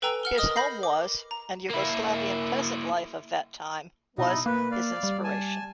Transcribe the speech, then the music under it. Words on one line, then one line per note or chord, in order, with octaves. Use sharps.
His home was and Yugoslavian peasant life of that time was his inspiration.
A4 B4 G5 G#5 A#5 E6
F#5 F6 G7
A#4 D#5 D#6 F6
B5 G6 A#6 C7
D6
A#5
A#3 E4
B2 D#4 E4 D#5
A#3 B4
D5 F5
G3
G#5 A5